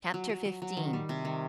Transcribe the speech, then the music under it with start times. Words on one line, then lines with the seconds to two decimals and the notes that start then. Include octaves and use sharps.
Chapter XV.
0.14 F#3
0.29 F#3
0.45 F#3
0.62 F#3
0.77 D#3
0.93 G3
1.09 C3
1.25 D#3